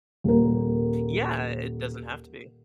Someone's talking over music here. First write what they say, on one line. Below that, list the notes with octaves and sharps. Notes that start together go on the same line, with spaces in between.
Yeah, it doesn't have to be.
D#1 A#4